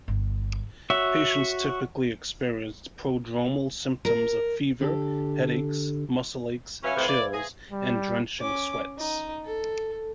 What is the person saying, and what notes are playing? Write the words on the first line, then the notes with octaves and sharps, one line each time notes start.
Patients typically experienced prodromal symptoms of fever, headaches, muscle aches, chills, and drenching sweats.
G1
F#4 C#5 E5
A#4
D3 G4 A4
F#3 C#4 B4 E5 F5
F2 A2 C3 C5 G#6
D5
G#4 A#6
G3
C#4 D6
D#4
A4